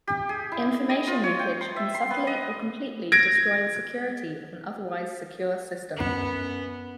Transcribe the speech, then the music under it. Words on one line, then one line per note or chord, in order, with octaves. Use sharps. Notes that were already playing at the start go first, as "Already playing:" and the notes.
Information leakage can subtly or completely destroy the security of an otherwise secure system.
G4
G#4
E4
D#5
F4
C#5
G5
C6
E5
C6
B3
D#5
G#6 A#6 D7
F#2 B3